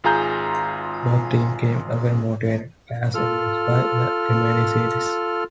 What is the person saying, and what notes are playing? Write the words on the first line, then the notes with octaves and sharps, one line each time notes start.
Both teams came away motivated, as evidenced by the remaining series.
G#1 F4 G#4 A#5 G6
F4 A4 F6